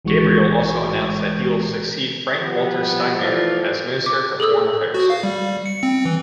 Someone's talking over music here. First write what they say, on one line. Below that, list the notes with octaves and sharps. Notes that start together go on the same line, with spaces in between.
Gabriel also announced that he will succeed Frank-Walter Steinmeier as Minister for Foreign Affairs.
A#1 E3 G#3 F#4 C#6
F3 G3 B3
E3 F3 A3 F4 D5
D6
G#4 A4 D#6 E6
F#4
F5
G3
C#7
C4
E3